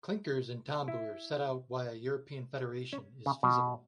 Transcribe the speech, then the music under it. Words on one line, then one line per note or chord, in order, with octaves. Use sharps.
Klinkers and Tombeur set out why a European Federation is feasible.
E4
C#4
C#3
B2